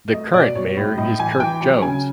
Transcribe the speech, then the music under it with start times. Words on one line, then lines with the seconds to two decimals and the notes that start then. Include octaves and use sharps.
The current mayor is Kirk Jones.
0.12 A3 D#5
0.34 B2 D5
0.55 B2 C#5
0.77 A2
0.98 A2 D#5
1.19 E3 G#5
1.40 E3 G5
1.61 F#3 G5
1.82 C#3 G#5